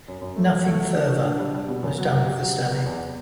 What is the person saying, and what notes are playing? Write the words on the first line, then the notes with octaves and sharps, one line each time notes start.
Nothing further was done with the study.
F#2
F#2
A3
F#3
A3
F#3
D4
F#4
D4
G3
G3
B2
F#2
F#3
F#3
G4
F#3
B3
E2
E2